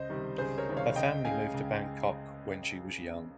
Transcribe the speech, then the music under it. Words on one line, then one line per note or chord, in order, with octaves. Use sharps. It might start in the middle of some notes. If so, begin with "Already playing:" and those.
Her family moved to Bangkok when she was young.
Already playing: C#2 C5 D#5
C3 D#3 G3
C#2 G#4 C5
A#4 C#5
C3 D#3 G3
C#5 F5
C#2 D#5 G5
C#3 G#3 F5 G#5
C#2